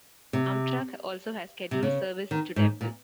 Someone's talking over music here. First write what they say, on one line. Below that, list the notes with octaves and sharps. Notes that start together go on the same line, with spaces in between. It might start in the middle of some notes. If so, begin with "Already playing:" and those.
Amtrak also has scheduled service to Temple.
C3
C3
C#3
D#3
G#2
A#2